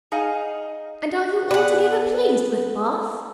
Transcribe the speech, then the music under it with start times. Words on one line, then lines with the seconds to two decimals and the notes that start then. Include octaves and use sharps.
"And are you altogether pleased with Bath?"
0.12 D#4 G#4 D#5 F5 F#5 G#5
1.51 B3 B4 D5 F#5